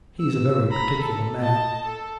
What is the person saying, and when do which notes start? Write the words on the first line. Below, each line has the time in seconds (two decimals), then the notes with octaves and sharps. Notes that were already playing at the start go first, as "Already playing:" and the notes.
He's a very particular man.
0.20 E6
0.69 A#5 B5
1.00 A4
1.41 D#5 A5
1.85 A4